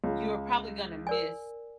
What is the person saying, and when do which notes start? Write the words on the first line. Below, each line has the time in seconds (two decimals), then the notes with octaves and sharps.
you're probably gonna miss
0.04 C#2
1.07 A#4 D5 G#5